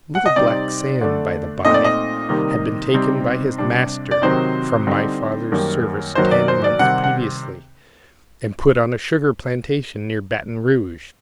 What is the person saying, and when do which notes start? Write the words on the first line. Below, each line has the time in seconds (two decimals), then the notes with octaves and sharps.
Little Black Sam, by the by, had been taken by his master from my father's service ten months previously, and put on a sugar-plantation near Baton Rouge.
0.15 F#5
0.26 D#5
0.36 C3 G3 C4 D#4 D5
1.01 D3 A3 D4
1.65 A#2 A3 C4 D#4 D#5
1.74 D5
1.84 D#5
2.29 C3 D#3 G3 A#3 D#4
2.94 C3 G3 C4 D#4
3.58 C3 G3 D4
4.11 D5
4.22 C3 D#3 F#3 C4 D#4 C5
4.87 D3 G3 C4 D#4
5.52 F#2 D#3 G3 A#3
6.15 F#2 D#3 F#3 A#3 D#4 C5
6.31 D5
6.48 C5
6.64 D5
6.79 C3 D#3 G3 C4 F#5
7.04 F#5